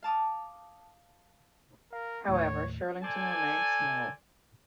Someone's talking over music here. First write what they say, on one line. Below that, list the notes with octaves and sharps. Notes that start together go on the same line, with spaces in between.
However, Shirlington remained small.
F5 A5 D6 D#6
A#4 F5
D#2 A2 C#5
A4 C5 D5 G#5